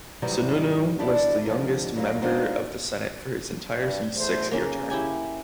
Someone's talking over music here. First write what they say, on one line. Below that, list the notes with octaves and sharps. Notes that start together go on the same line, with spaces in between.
Sununu was the youngest member of the Senate for his entire six-year term.
G#2 C3 D#3 E3 F#3 G3
D4 E4 G4 A4 D5
G#2 D3 D#3 F3
G2 F#3 A#3
G#3 C4 D4 D#4 F4 F#5
G2
E2 A3 C5
C#3 A#3 C#4
E4 G4 G#5